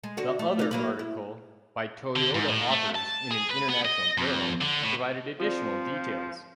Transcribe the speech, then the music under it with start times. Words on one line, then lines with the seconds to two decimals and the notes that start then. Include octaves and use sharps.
The other article, by Toyota authors in an international journal, provided additional details.
0.04 G#3
0.17 D3 F#4
0.39 A3
0.59 D#4 D5
0.71 F#3 A#3 B4
0.99 E4
2.16 D3
2.35 G#2
2.49 A2
2.71 A3
2.95 A5
3.31 G#4
3.50 B4
3.69 B3
3.85 D#5
4.18 F2
4.62 D3
4.83 A2
5.40 F3 C4 F4 D5